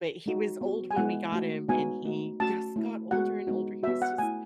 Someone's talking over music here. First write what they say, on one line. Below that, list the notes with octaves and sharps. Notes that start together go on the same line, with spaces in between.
But he was old when we got him and he just got older and older, he was just
G#3 D#4 F#4
B3 F#4
G#5
G#3 B3 E4 F#5
A3 D#4 F#4
G#3 B3 D#4 F#4 G#5
A3 D#4 F#4
A3 C#4 F#4 A5
A3 E4
G#3 B3 F#4 F#5
G#3 B3 D#4 F#4
B3 F#4 E5
F#5
A3 E4 G#5